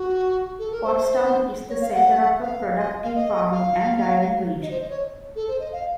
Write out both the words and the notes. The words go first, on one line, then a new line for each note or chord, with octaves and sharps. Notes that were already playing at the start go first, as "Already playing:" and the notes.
Pottstown is the center of a productive farming and dairying region.
Already playing: F#4
A4
A#4
C5
C#5
F5
F#5
F5
D#5
F5
D#5
F5
D#5
C5
D#5
C#5
A4
C5
D#5
F5